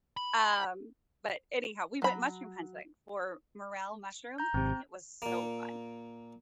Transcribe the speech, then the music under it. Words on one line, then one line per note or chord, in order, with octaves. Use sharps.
um, but anyhow, we went mushroom hunting for morel mushrooms, and it was so fun.
B5
F#3 B5
A#5 G6
G#1 C3 C4
A#2 A#3